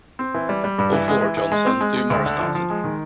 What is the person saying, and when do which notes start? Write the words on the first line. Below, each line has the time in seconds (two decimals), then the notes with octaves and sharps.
All four of John's sons do morris dancing.
0.19 C4
0.34 E3
0.49 G3
0.64 G3
0.78 G2
0.93 E3
1.08 G#3
1.22 E3
1.37 E3
1.52 G#3
1.66 C4
1.81 G#3
1.96 G#3
2.10 D2
2.26 D3
2.39 F3
2.55 F3
2.70 G#3
2.84 D#3